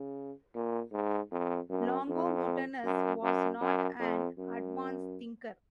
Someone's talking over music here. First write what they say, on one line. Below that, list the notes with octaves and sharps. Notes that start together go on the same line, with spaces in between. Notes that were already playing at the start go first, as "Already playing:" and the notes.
Longomontanus was not an advanced thinker.
Already playing: C#3
A#2
G#2
F2
F#2
F2
F#2
F#2
F#2
F2
F#2